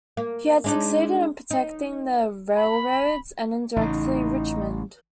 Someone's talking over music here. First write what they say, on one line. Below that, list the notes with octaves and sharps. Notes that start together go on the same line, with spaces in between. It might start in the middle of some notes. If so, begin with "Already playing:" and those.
He had succeeded in protecting the railroads and, indirectly, Richmond.
A#3
G#3 D4 D#4
D#4
B5
A1 C#3 D#4